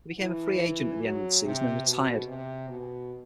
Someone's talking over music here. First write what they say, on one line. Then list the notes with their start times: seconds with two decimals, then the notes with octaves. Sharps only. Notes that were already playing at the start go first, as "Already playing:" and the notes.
He became a free agent at the end of the season and retired.
0.18 E3
1.02 F#3
1.43 C3
1.85 B2
2.27 C3
2.69 B2